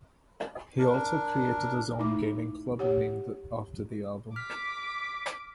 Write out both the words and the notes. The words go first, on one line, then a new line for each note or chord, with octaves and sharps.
He also created his own gaming club and named it after the album.
D4 A#4
A3 D#4 E4 D6
G4 C#5 F#5
D6 F6 B6